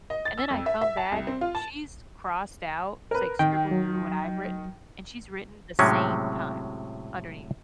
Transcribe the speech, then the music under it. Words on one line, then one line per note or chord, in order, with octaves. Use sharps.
And then I come back. She's crossed out. She's, like, scribbled through what I've written, and she's written the same time underneath.
D#5
A6
E6
F2
E5
E5
A5
C2
C4
F4
A5
A#4 B4
D#3 G5
F#3
A2 C3 F#3 G#3 C4 C#4